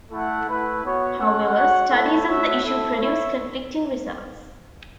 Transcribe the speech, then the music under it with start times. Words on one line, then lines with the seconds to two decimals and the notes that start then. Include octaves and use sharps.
However, studies of the issue produce conflicting results.
0.12 A3 E4 A4 F#5
0.48 A3 E4 B4
0.84 B3 F#4 C#5
1.19 C#4 A4 F#5
1.55 F#4 C#5 F#5
1.91 A3 E4 A4 C#5
2.27 A3 F#4 C#5 E5
2.62 E4 A4 E5
2.99 E4 C#5 E5